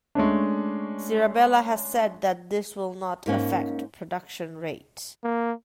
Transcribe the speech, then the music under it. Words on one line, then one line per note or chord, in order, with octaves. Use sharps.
Sirabella has said that this will not affect production rates.
G#3 A3 C#4 D4
G#2 A#3 C#4
A#3